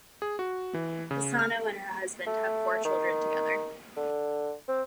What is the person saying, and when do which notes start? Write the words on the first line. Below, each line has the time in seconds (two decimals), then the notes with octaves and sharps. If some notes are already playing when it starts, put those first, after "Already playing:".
Pisano and her husband have four children together.
0.22 G#4
0.39 F#4
0.74 E3
1.11 C#3
1.39 F6
2.27 A3
2.85 D#3
3.97 D3
4.68 C4